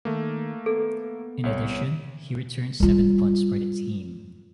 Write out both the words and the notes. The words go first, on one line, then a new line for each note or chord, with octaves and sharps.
In addition, he returned seven punts for the team.
D#3 A3 A#3
B3 A4
C2 C#5
G3 F4